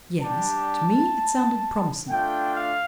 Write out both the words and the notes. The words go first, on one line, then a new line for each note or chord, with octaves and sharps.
"Yes?" To me it sounded promising.
G3 D4 G4 A5
A3 D4 F4 G5
F5